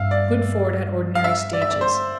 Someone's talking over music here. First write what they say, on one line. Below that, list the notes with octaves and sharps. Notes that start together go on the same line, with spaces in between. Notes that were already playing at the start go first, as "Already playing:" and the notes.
Good ford at ordinary stages.
Already playing: G2 E5 F5
D5
F5
E5
D5
E5
D5
C5